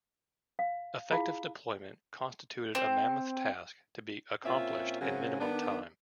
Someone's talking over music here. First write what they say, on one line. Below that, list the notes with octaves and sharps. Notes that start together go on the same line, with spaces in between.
Effective deployment constituted a mammoth task to be accomplished in minimum time.
F5
E4 F4 G#4 F5
C4
A#2 C4 C#4 F4 E5
F#2 C#3 F#3 C4 C#4
D#3 B3 D4